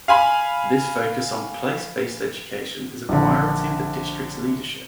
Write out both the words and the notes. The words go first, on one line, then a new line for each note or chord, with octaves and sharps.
This focus on Place-Based Education is a priority of the district's leadership.
F5 G#5 B5
A#1 D3